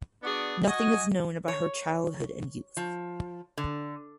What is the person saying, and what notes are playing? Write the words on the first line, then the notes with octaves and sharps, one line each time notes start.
Nothing is known about her childhood and youth.
B3 D4 F#4 G#4 D5
F#4 D#5 G#5
C#5
F3
D3